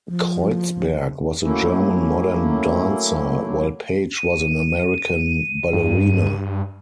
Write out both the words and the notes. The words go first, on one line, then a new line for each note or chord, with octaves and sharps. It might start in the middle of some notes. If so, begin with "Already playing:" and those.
Kreutzberg was a German modern dancer, while Page was an American ballerina.
F3
F#3 A3 A#3 C#4 E4
D#7
G2